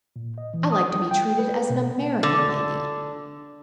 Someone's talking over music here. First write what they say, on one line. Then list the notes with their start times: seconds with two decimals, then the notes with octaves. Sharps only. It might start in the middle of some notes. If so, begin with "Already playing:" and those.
"I like to be treated as an American lady."
0.16 A#2
0.38 D#5
0.54 E3
0.72 D#6
0.95 G3
1.11 G5
1.39 B4
1.70 B2
2.23 D3